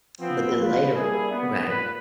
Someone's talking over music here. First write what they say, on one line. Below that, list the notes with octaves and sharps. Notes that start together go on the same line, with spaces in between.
But then later, okay,
F3 B3 C4
F4 B4
G3 A#3 D4 E4 G#4
B3
A#2 B4